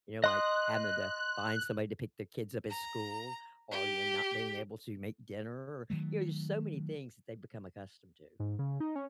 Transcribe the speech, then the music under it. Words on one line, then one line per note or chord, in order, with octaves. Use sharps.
You know, like, having to find somebody to pick their kids up at school or you're not being able to make dinner, you know, there's so many things that they've become accustomed to.
D#5 C6 D#6 F#6
A#5
G4
D#3 F#3 A3
G#2
C#3
D#4
C#4